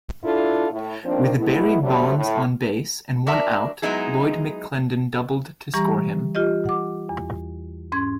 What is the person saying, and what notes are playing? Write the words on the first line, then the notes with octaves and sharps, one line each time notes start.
With Barry Bonds on base and one out, Lloyd McClendon doubled to score him.
D4 E4 F4 A4
A2
D#3 F3 A#3 C4 D4
G#3 A3 B3 E4
D3 F#3 G3 A3 G4 C5
A2
D4 F#4 A#4 E5
F#3 G#3 B3 D#4 E4 G#4
E3 G3 G4 A#5 C#6 A#6
F4 G4 D#5
F#5 D6
E2
G#2 C#4 C6 G#6